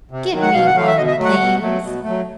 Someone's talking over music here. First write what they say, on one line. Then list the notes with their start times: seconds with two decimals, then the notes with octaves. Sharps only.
"Give me one, please."
0.11 C3
0.32 D#3 F#3
0.41 F#5
0.53 B2 F5
0.66 F#5
0.75 F#3 A3 F5
0.87 E5
0.97 B2 D#5
1.08 D#5
1.11 E5
1.18 F#3 A3
1.25 F#5
1.40 B2
1.61 F#3 A3
1.83 B2
2.04 F#3 A3